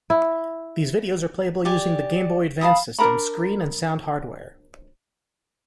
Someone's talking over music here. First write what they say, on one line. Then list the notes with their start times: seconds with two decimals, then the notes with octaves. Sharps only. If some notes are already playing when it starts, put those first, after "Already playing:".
These videos are playable using the Game Boy Advance system's screen and sound hardware.
0.10 E4
1.65 G4 D5 G#5
2.61 F5 A5 B5 D#6
2.99 D4 A#4 A#5 B5